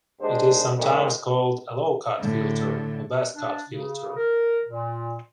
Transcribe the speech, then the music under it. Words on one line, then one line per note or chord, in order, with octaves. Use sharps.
It is sometimes called a low-cut filter or bass-cut filter.
D#2 G#2 G#3 D4 C5
F2 A#2 D#3 G#3 A3
A2 D3
D4
C#3
A#4
A#2